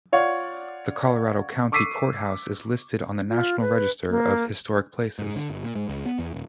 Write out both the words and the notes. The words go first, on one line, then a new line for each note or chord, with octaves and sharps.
The Colorado County Courthouse is listed on the National Register of Historic Places.
F4 C#5 D5 F5 F#5
C#6 D6 E6 B6 C7 D#7
F4
B4
A#3
G#2
D3
G1
A#2
G#2
C#2
B3
E2
D#1